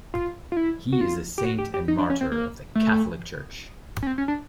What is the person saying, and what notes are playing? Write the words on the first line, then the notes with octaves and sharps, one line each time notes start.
He is a saint and martyr of the Catholic Church.
F4
F4
E4
F#4
F4
G4
F#4
G4
G4
D#4
D4
C#4
C4
A#3
A3
C#4
C4
C#4
D4